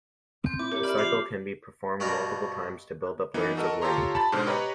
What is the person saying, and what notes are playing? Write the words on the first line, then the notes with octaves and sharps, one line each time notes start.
The cycle can be performed multiple times to build up layers of learning.
C4 G6
E4 D6
E4 G4 A#4 C#5
D5 E5 B5 F6 F#7
F3 D6 C7 F7
G2 B2 F#4 A#4 C#6
E3 A#3 B3 D#4
F#4 A4 A#4 D#5
F4 G4 A4 C#5 A#5 C6
A5 B5 A6
G#2 B2 D3 C5 F6
G4 B4 C#5 D#5 A#5 B5